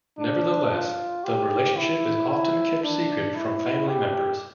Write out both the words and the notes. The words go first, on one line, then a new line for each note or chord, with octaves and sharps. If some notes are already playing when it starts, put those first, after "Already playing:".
Nevertheless, the relationship is often kept secret from family members.
D4
F4
G4
E4
E4
D4
E4
G4